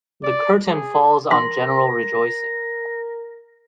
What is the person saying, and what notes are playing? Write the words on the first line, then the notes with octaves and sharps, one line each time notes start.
The curtain falls on general rejoicing.
D5
G#4
A#4 C6 A#6